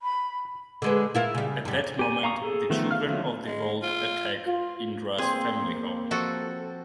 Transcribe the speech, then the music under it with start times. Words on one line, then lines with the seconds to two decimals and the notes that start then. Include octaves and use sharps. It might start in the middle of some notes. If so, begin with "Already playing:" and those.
At that moment, The Children of the Vault attack Indra's family home.
0.02 B5
0.82 D3 G#3 B4
1.15 E4 F4 A#4
1.35 C#3 G3
1.65 F#2 G3
1.99 G4 G#5
2.23 F5 A#5 C#6 D#6
2.42 G#4 A4
2.70 D#3 F3 A3 B3
2.91 F5 F6
3.06 D3 D#3 F3 F#3 A3
3.46 G#3
3.83 F4
4.47 F4
5.18 A#3 C4 G#4
6.11 F3 F#4 A4